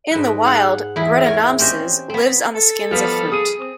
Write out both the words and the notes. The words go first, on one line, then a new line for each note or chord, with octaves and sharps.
In the wild, "Brettanomyces" lives on the skins of fruit.
G#2 B4
G#4 F5 F#5
E2 E4 G#4
A#4 C#5 G#5
C4 C#4 G4 C5 D#5 G#5
B3 C4
A4
F3 G3 B3 F5
G#4 D#6 D#7
C4